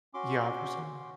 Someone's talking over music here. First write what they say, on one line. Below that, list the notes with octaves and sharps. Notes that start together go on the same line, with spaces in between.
Yeah, for certain.
C#4 F#4 C6 D6
C#4 F#4